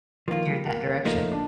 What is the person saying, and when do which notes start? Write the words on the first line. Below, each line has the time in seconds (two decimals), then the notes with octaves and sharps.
You're that direction.
0.28 D#3 F3 A#3 F4
0.47 G3
0.67 A#3
0.86 A#3
1.05 F3 A3 A#3 D#4
1.32 D4